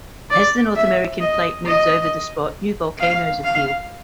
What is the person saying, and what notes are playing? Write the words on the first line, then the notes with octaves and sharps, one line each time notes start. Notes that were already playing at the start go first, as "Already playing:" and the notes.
As the North American plate moves over the spot, new volcanoes appear.
D5
E5
D#5
D#5
F5
F5